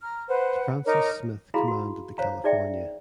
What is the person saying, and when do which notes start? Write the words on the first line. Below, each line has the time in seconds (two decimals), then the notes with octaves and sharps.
Francis Smith commanded the "California".
0.01 A#5 F6
0.28 B4 C5 F#5
0.85 D#4 A#4 C#5 D6
1.54 E4 F#4 G#4 F5 A#5 B5
1.68 F#4
2.18 C5 C#5 F5 A#5
2.44 D#4 G#4 D5 E5 G5